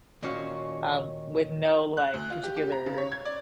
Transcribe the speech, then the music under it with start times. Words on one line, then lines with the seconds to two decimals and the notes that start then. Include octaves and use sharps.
um, with no, like, particular,
0.23 D#2 A#2 C#4 F#4 F5
1.97 F#6
2.14 D2
2.30 F4
2.44 G4
2.56 G4
2.72 A#5
2.86 C#3
2.98 C#5
3.12 G#6
3.25 D5